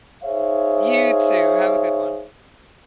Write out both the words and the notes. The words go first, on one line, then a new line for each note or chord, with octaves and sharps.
You too, have a good one.
D#4 G#4 C5 C#5 E5 F5